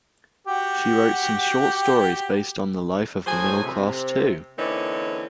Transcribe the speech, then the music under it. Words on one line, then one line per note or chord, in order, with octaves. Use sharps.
She wrote some short stories based on the life of the middle class too.
F#4 G4
A2 F#3 G#4 C5 G#5
C3
D3 E3 A#3 C4 C#4 D#4